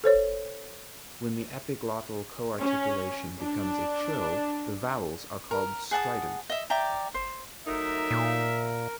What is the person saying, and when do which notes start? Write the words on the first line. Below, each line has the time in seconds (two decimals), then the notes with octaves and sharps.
When the epiglottal co-articulation becomes a trill, the vowels are called strident.
0.04 A4 C5 C#5
2.59 C#4
3.41 D4
5.51 A#4
5.91 G#4 F#5 A5 D#6
6.50 D#5 E5
6.70 D5 E5 G5 A#5
7.14 C5
7.67 F#3 A3 D#4 A#4 E5
8.11 A#2